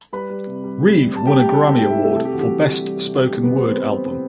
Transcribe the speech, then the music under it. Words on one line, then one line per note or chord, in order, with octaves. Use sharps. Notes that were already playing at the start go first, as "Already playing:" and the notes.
Reeve won a Grammy Award for Best Spoken Word Album.
G3 B4 B5
G3
C3
G3
C3
G3
G3 A5
G4 G5
C3
G4 G5
G3 A4 A5
G3 G4 G5
G3 G4 G5
E4 E5
C3 A3 A4
C3 A4
G4
E3 F#4
G4
C3
G3
G3
C3
G3 G4
C3 G4
B3 B4
C3 C4 C5
C3 B3 B4
C3
C3